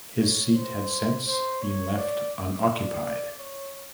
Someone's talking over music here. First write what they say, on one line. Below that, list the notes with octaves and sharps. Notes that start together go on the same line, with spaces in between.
His seat had since been left unoccupied.
C#5
C5
C5
C#5
D5
D5
C#5